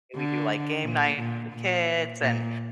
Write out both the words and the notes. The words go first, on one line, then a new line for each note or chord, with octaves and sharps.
we do, like, game night with the kids and
D3
A#2
A#2
A#2
A#2